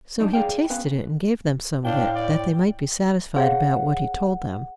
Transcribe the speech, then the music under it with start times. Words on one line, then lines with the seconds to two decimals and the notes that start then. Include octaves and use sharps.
So he tasted it, and gave them some of it, that they might be satisfied about what he told them.
0.20 F#2 D4 D#4
0.33 G#4 D5 F5 G5
0.70 B3 C#4 B4 F5
1.85 A2 D4 F5 G5
2.15 D5
3.36 G#4 C#5 F5 F#5